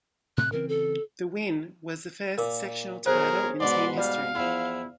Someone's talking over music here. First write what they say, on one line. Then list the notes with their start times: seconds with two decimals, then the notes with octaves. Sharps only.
The win was the first sectional title in team history.
0.37 A2 C3 A3 F#6
0.52 C#3 E3 C4 A#4
0.69 A4
2.38 A#2 A#4 D6
3.06 B1 G#4 A#4 C5 C#5
3.60 G#2 B2 B4 D5 C6
3.97 G3 D5 F5
4.35 E2 F3 E4